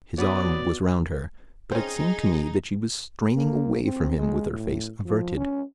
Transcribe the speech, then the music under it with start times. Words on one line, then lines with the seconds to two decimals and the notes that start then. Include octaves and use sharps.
His arm was round her, but it seemed to me that she was straining away from him with her face averted.
0.18 B3 F#4 C#5 D5 B5 D#6
1.72 C4 C#4 D#4 G#4 C5 C#5
3.36 A#3
3.84 C4
4.18 G#3
4.50 A2
5.05 F3
5.37 C#4